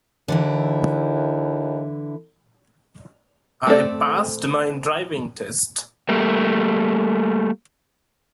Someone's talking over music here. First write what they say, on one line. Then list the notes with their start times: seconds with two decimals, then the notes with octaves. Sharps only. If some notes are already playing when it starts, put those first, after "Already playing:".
I passed my driving test!.
0.28 D#2 D3 E3 E4
3.67 A3 C4 D4 A4 D5
6.09 G3 A3 A#3